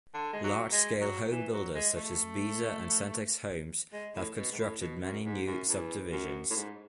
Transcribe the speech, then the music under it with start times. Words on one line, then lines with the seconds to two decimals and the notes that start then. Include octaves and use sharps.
Large-scale home builders such as Beazer and Centex Homes have constructed many new subdivisions.
0.14 D3
0.33 G#3
0.44 F#3
0.72 G#3
1.01 F#3
1.31 E3
1.53 F#3
1.75 G#3
1.96 A3
3.93 G#3
4.15 A2
4.37 B2
4.52 G#2
4.59 A2
4.81 B2
5.02 F#2
5.25 G#2
5.46 F#2
5.68 E2
6.12 F#2
6.50 A2
6.56 G#2